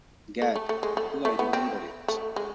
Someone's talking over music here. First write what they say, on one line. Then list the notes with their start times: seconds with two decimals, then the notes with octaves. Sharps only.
Gad, do I remember it.
0.42 A3
0.56 A3
0.69 A3
0.83 G#3
0.97 A3
1.25 A3
1.39 B3
1.53 C4
2.08 A3
2.36 G#3